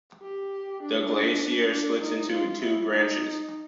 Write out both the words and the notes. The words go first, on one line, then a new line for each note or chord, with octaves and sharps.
The glacier splits into two branches.
G4
D4
D4
D#4
F4
E4
D#4